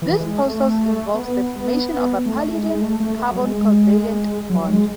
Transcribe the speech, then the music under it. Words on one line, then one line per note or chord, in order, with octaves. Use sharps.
This process involves the formation of a palladium-carbon covalent bond.
E3
G#3
A3
B3
A3
G#3
A3
A3
A3
F#3
G#3
F#3
F#3
G#3